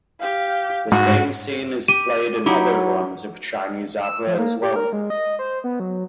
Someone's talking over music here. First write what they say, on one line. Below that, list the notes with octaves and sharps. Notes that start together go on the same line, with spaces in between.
The same scene is played in other forms of Chinese opera as well.
G4 F5
G#2 F#4
G4 D#7
F#3 D#4 E4 G4
E6
F3
A#3
G4
A#4
G#3
D#5
C5
B3
F#3